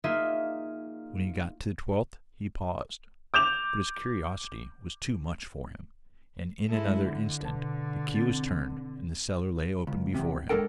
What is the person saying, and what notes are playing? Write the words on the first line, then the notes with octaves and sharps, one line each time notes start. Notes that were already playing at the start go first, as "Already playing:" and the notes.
When he got to the twelfth he paused, but his curiosity was too much for him, and in another instant the key was turned and the cellar lay open before him.
A#3 D#4 F4 G#4 E5
D6 G6 E7 F7
G#3 E4 A4
D3
B2 A5
C4 A6
C#2
E2 C3
A2 G#3 D4 A4 A#4 G5